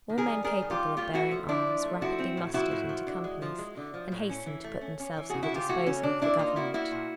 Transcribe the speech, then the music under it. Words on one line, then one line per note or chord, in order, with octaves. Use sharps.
All men capable of bearing arms rapidly mustered into companies and hastened to put themselves at the disposal of the government.
D#3
G#4 A#4
G3
G3 G#4 A#4
D#3
F4 G4
G3
A3 F4 G4
A3 E4 F#4
F3
F3 D4 E4
F3
A3
F3 E4 F#4
C4
A2
F3 E4 F#4
A2
F3
D3
G#3
F3
G#3
D3
F3
A2
C#4
E3
A3
C#4
C#4
E3
C#3 F#4 G#4
E4 F#4
C#3 F4 G4
A3 E4 F#4
C#3 C#4
C#3 D4
A#2 D4 E4
A#3 D#4 F4
A#3 E4 F#4
A#3 E4 F#4
A#2